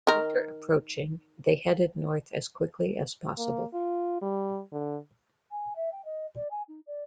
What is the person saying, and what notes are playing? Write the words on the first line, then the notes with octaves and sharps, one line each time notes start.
With winter approaching, they headed north as quickly as possible.
D#3 A#4
A#3
F4
G3
D3
G#5
E5
G5
D#5
D5
G#5
D#4
D5